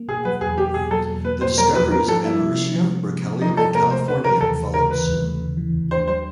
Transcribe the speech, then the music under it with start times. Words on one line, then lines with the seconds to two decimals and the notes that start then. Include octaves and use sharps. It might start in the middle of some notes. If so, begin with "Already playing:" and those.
The discoveries of americium, berkelium, and californium followed soon.
Already playing: A#3
0.08 B2 G#4
0.25 F#3 B4
0.41 E2 G#4
0.58 A#3 G4
0.74 B2 G#4
0.91 F#3 A4
1.08 E2
1.25 A#3 B4
1.41 B2 C5
1.58 F#3 A#4
1.75 E2 B4
1.91 C#4 A#4
2.08 F3 A4
2.25 A#3 E4
2.41 C3
2.58 C#4
2.75 F3
2.91 A#3
3.07 C3
3.25 C#4
3.41 F3 D#4
3.57 A#3 A4
3.75 C3 A#4
3.91 A3 C5
4.08 C#3 B4
4.24 E3 A#4
4.41 D#2 A4
4.57 A3
4.74 C#3 A#4
4.91 E3 B4
5.08 D#2
5.24 A3
5.41 C#3
5.57 E3
5.74 D#2
5.91 D4 C5
6.07 F#3 C5